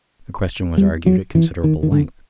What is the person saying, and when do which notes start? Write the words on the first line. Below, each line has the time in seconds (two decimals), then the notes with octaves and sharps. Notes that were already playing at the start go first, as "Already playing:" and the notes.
The question was argued at considerable length.
0.78 G3
1.06 F#3
1.35 E3
1.64 D#3
1.83 D#3
1.92 D3